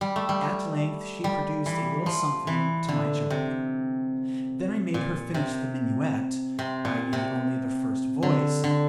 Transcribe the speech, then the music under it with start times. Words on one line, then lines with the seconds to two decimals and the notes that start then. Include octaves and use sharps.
At length she produced a little something to my joy. Then I made her finish the minuet, i.e. only the first voice.
0.01 G3
0.16 A3
0.29 G3
1.24 G3
1.66 E3
2.06 F3
2.47 E3
2.88 D3
3.30 C3
4.94 A#2
5.34 C3
6.59 C3
6.85 A#2
7.13 C3
8.23 D3
8.64 D3